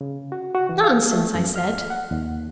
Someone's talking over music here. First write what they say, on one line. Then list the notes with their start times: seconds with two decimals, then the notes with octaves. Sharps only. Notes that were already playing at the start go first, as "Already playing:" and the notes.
"Nonsense!" I said.
0.01 C#3
0.32 F#4
0.55 F#4
0.69 E3
0.84 F5
1.12 A3
1.35 F#2
1.56 F6
1.90 F#5
2.11 D#2